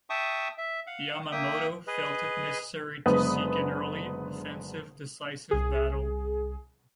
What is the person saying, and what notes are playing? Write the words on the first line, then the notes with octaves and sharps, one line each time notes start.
Yamamoto felt it necessary to seek an early, offensive decisive battle.
E5 G5 A5 C#6 D#6
E5
F5 F#5
A#3 E5 G5 D#6
G#4 B4 D#5
F#1 D3 G#3 B3 B4 D#6
C2 G#4